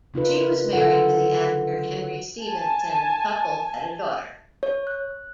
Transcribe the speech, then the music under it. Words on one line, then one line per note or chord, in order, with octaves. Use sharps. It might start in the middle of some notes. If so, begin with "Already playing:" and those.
She was married to the actor Henry Stephenson; the couple had a daughter.
C#3 D#4 F4 B4
A#4
D3 F#3 F4 A4 F#5
G#5 A5
C#5
F#6